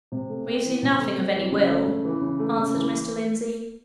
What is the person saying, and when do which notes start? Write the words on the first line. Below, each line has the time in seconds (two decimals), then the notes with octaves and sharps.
"We've seen nothing of any will," answered Mr. Lindsey.
0.12 C3
0.30 A3
0.47 C4
0.65 E3
0.82 C3
1.00 A3
1.17 C4
1.35 E3
1.52 C#3
1.70 A3
1.87 C#3
2.05 E3
2.21 C#3
2.39 A3
2.57 C#3
2.75 E3